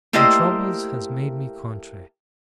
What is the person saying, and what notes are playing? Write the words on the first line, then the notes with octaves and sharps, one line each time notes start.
My troubles has made me contrary.
A3 A#3 E4 G4 C5 D#5